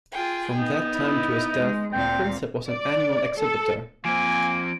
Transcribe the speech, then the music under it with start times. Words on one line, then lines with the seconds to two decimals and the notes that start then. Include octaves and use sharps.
From that time to his death Prinsep was an annual exhibitor.
0.11 F4 G#4 G5
0.58 B3 D#4
0.94 E4
1.57 G#3
1.93 D2 A#2 C4 F5 G5
2.69 D5
3.37 A4
4.05 F3 A#3 C4 G#5 D7